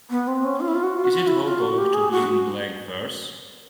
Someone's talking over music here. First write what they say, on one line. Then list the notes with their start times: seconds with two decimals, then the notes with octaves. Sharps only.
Is it all going to be in blank verse?
0.11 B3
0.28 C4
0.44 C#4
0.61 F4
0.68 E4
0.75 F4
0.83 F#4
0.97 F4
1.05 F#4
1.27 E4
1.45 F4
1.61 F#4
1.78 G4
1.94 G#4
2.11 F#4